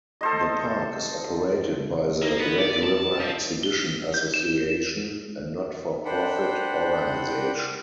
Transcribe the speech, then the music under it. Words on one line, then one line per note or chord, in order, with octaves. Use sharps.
The park is operated by the Red River Exhibition Association, a not-for-profit organization.
A4 C5 D#5
A#3
B3
D5
A5
F3
G7
G6
E7
D4 C5 F#5 G5 B5